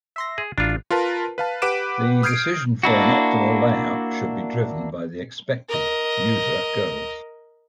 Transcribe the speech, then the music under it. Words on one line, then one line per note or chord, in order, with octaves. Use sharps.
The decision for an optimal layout should be driven by the expected user goals.
E5 C6 A#6
G#4
A1 D4 F4
F4 A#4 B4 A5
B4 F5 A5
G4 B4 F#5 D6 D7 E7
D#6 F6 G6 G#6 C7 D7
A#3 D4 E4 F#4
A#4 D#5